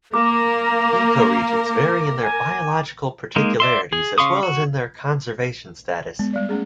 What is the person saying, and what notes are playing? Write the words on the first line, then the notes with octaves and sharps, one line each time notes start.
Ecoregions vary in their biological particularities, as well as in their conservation status.
A#3 A#4 A#5 D6
G#5
G#3 A#3 D#4
D5 E5 C6
G#4
C#3 F5 C6 C#6 D#6
F#4
G#3 B3
G3 D5
A3 C#4 G#4